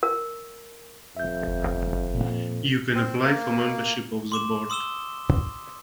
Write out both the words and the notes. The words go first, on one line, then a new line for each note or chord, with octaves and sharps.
You can apply for membership of the board.
A#4
F2 E5 G6
A#2 A#3
C4
A#3
C6 D6 E7
C6 D#6 E6 E7 G7